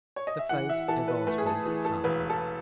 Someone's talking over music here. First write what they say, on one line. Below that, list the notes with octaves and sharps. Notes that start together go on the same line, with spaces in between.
The face of Oswald hardened.
C#5
D#5
E5
E3 F#5
E5
E3 A4
B4
A3 B4
G#4
A4
E3
A4
E1 B4
A4